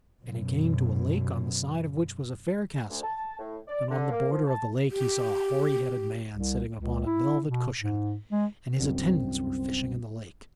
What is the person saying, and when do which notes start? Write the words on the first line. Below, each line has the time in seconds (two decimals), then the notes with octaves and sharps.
And he came to a lake on the side of which was a fair castle, and on the border of the lake he saw a hoary-headed man sitting upon a velvet cushion, and his attendants were fishing in the lake.
0.21 F#2 B2
2.90 D2
3.03 A5
3.39 A2
3.68 D5
3.90 D3
4.11 A#3
4.31 F3
4.46 A5
4.91 G4
6.34 C2
6.77 C#2
7.06 E4
7.46 B2
7.78 G#2
8.32 G#3
8.80 C2 F#2 D3 C4